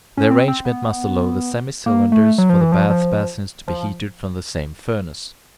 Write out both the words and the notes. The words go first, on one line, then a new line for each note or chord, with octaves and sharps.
The arrangement must allow the semi-cylinders for the bath basins to be heated from the same furnace.
C#4
C4
C4
B3
A#3
A3
F#3
F3
E3
F3
F3
F3